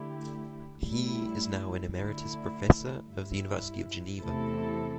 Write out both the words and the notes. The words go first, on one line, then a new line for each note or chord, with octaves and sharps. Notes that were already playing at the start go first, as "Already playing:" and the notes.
He is now an emeritus professor of the University of Geneva.
Already playing: D3 A3 E4 G4
A2 G3 E4
D3 A3 E4
G2 G3 E4
E2 C3 A3 E4 A4